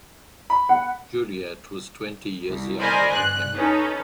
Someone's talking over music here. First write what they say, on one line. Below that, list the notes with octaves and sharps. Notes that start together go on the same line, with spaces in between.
Juliette was twenty years younger than him.
B5
F#5
C2
A#4 C5 D5 D#5 G#5 B5
G2 F#6
C#4 D#4 A4 B4